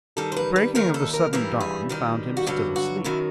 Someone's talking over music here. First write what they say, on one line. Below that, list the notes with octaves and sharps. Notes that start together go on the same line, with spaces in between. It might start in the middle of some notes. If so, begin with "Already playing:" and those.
The breaking of the sudden dawn found him still asleep.
G2 D#3 G3 A4
C5
B4
B4
D#2 D#3 G3 A#4
A4
A#4
G2 E3 G3 A#4
G#4
F#2 D#3 G3 G4
F#4
G2 D3 F#3 G4
F#4
F#2 D#3 F#3 E4